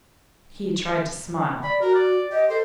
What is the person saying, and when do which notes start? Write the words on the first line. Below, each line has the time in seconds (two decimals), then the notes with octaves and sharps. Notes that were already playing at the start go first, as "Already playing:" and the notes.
He tried to smile.
1.63 D5 B5
1.82 F#4 A#4
1.95 D5
2.32 G4 D#5
2.50 A4 C5